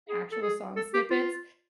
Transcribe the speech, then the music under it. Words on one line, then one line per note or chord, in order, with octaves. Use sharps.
actual song snippets,
G#4
A4
G#4
A4
G4
F4